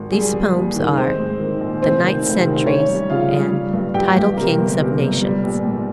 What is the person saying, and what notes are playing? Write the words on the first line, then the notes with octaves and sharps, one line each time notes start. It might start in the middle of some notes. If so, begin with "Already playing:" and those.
These poems are The Night Sentries and Tidal King of Nations.
Already playing: G#1
G3 G#4
G3
D#2
D#3
G#3 C4 C5
G#2
D#3
A#1
F1 C4 C5
D#3
F1
D#3
C#4 C#5
G3
C#3 F4 F5
G3
G3
G2
G2 G4 G5
G2
C3 A#3 A#4
G1
C3
G1
G3
A#1
G#2